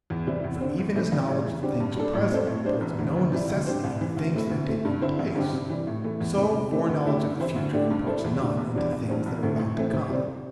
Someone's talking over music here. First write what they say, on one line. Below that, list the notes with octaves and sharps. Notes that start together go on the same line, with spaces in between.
For even as knowledge of things present imports no necessity into things that are taking place, so foreknowledge of the future imports none into things that are about to come.
E2
C3 E3 G3 E4
E2
D3 C4
E2
C3 E3 A3 E4
A1
A2 G3
E2
D3 G3 C4 G4
G2
G3 D4 A4
A2
G3 C4 A4 C5
A2
G3 D4 C5
E1
E2 D3
D2
C3 E3 G3 E4
D2
D3 C4 G4 C5
C2
C3 E3
D2
C3 A3 E4
D2
C3 A3
G2
D3 C4 E4 C5
A1
G2 D3 C4 G4
C3
E3 G3
A2
E3 A3
E2
C3 A3
C3
E3 A3 C4 G4
D2
D3 A3 E4 G4
G2
E3 C4 E4 C5
D2
D3 A3 D4 G4
G2
G3 E4 A4 C5
E2
D3 G3
E1
E2 C3 G3 D4
A1
G2 E3 C4
E1
D2 C3 A3
A2
E3 A3 C4
C3
G3 C4